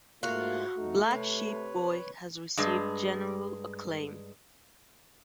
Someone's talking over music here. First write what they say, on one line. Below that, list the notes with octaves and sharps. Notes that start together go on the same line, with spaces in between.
"Black Sheep Boy" has received general acclaim.
G#2 A3 A#3 F4 F#4 F5
F2 A3 D#4
C3 B4 C#5
G2 G#3